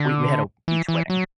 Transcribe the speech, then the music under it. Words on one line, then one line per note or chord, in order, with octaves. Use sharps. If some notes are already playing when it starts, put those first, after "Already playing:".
we we had a beach wedding
Already playing: D3
E3
E3
F#3